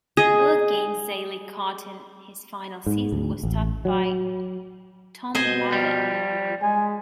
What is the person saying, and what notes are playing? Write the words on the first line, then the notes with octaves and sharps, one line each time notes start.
Both games Zeile caught in his final season were started by Tom Glavine.
G#4 D#5
G#2
D2
A1
F#3
B2 C5 D#5 G#5
F3 G3
G#3 G#5